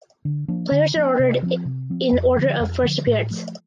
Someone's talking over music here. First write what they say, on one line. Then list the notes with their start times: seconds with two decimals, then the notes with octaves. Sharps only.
Players are ordered in order of first appearance.
0.25 D3
0.48 F3 A#3 D4
0.71 D3
0.95 F3 A#3 D4
1.19 C3
1.43 F3 C4
1.65 C3
1.90 F3 C4
2.12 F2
2.37 D3 F3
2.60 F2
2.83 D3 F3
3.07 A2
3.30 F3 A3